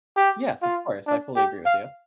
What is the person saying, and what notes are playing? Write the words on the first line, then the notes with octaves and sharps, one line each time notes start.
Yes, of course, I fully agree with you.
G4
F4
D4
G4
F5